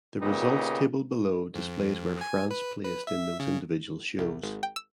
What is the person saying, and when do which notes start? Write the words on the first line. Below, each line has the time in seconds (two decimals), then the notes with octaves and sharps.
The results table below displays where France placed in those individual shows.
0.21 A#2 C#3 B3 D#4 G4
1.55 F2
2.21 G#5
2.51 B4
2.84 B4
3.07 E5
3.40 C#3
4.19 C2
4.43 G#1
4.63 G5
4.76 E6